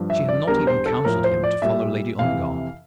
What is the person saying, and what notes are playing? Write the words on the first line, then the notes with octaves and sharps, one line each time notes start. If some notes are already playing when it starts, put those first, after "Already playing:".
She had not even counselled him to follow Lady Ongar.
Already playing: G2 F3
E5
D5
E2 D3 G3 A#4
C5
A4
A2 F3 A#4
C5
D5
A#2 G3 E5
F2 C3 E3 F5